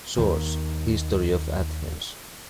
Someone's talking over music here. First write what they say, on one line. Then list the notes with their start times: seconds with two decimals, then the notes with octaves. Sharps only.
Source: History of Athens.
0.18 D#2 D#3